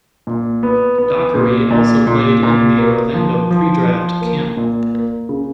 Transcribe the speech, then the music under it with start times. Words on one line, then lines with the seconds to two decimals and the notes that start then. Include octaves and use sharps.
Dockery also played in the Orlando Pre-Draft Camp.
0.27 A#2
0.63 B3
0.98 B3
1.35 A#2
1.71 A#2
2.07 A#2
2.43 A#2
2.78 A#3
3.14 F3
3.51 F3
3.85 F3
4.21 A#3
4.57 A#2
4.94 A#3
5.29 C#3